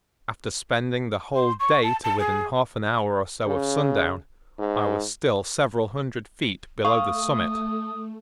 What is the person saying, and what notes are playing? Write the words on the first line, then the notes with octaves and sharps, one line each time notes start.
After spending the whole day to within half an hour or so of sundown, I was still several hundred feet below the summit.
C6
C#6
A5
A5
G#4
C#3
G#2
A3 F5 C#6 D#6